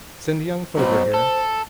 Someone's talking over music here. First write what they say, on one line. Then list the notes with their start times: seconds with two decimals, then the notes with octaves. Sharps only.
"Send young Foger here."
0.77 B2 F#3 C5
1.14 A4